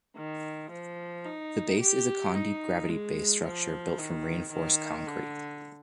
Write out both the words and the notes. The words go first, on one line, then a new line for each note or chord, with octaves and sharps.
The base is a Condeep gravity base structure built from reinforced concrete.
D#3
F3
D#4
G4
D#4
G#3
F3
D#3
D#3
D3